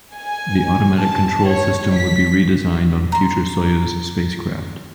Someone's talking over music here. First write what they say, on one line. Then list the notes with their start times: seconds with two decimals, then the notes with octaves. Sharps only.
The automatic control system would be redesigned on future Soyuz spacecraft.
0.13 G#5
0.98 A5
1.46 C#5
1.92 B6
3.12 A#5 C6